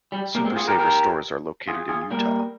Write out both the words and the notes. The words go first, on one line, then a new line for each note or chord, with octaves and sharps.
Super Saver stores are located in Utah.
G3
G3 A#3
G#3 C4
F4 G#4
G4 A#4
G4 A#4
F4 G#4
F4 G#4
G3 A#3